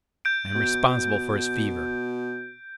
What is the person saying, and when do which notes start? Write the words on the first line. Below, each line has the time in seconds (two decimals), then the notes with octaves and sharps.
I am responsible for his fever.
0.25 G6 D7
0.55 B2